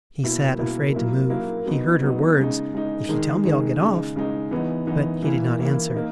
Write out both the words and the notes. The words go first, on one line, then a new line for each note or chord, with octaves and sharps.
He sat afraid to move, he heard her words, "If you tell me, I'll get off," but he did not answer.
B2 A#3 E4
B2 A#3 E4
F#3 A#3 E4
F#3 A#3 E4
F#3 B3 D#4
F#3 B3 D#4
C#3 G#3 D#4
C#3 G#3 D#4
D#3 G#3 D#4
D#3 G#3 D#4
C#3 G#3 D#4
C#3 G#3 D#4
E3 B3 D#4
E3 B3 D#4
E3 A#3 E4
E3 A#3 E4
A#3 D#4